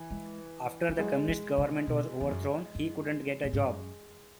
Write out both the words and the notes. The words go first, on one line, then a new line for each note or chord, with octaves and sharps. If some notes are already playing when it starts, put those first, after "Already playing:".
After the Communist government was overthrown he couldn't get a job.
Already playing: E3
G#3
E3
F#3 G#3
E3
C#3
B2
E2
F#2
F#2
A2
G#2
F#2